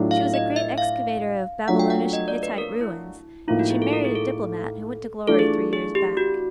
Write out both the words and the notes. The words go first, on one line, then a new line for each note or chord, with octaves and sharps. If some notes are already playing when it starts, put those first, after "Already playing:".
She was a great excavator of Babylonish and Hittite ruins, and she married a diplomat who went to glory three years back.
Already playing: A2 F#3 A3 D4 F4
F5
D#5
E5
F5
F#3 A3 D4 F4 F#5
G5
F#5
D#5
D5
B4
A#4
E4
A2 F3 A#3 D#4 F4
F#4
G#4
A4
A#4
G#4
A4
E3 A3 D4 F4 A4
G#4
G#4
G4
F#4